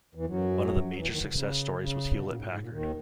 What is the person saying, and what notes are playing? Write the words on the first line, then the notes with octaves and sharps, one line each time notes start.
One of the major success stories was Hewlett-Packard.
E2 E3
F#2 F#3
F#2 F#3
E2 E3
D#2 D#3
C#3
C#3
C#3
B2
A#2
G#2
G#2
A#2
D#2 D#3